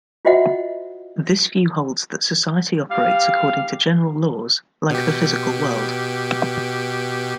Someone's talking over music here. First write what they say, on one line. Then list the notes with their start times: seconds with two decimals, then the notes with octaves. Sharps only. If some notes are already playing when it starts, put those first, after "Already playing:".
This view holds that society operates according to general laws like the physical world.
0.25 F4 F#4 C5 D#5 E5 F#5
2.90 G3 G4 F5
4.90 B2 G4